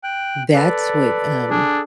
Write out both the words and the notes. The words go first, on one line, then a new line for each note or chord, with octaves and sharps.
that's what, um
G5 F#6
A4 B4 D5
D4 G#4 A4 G#5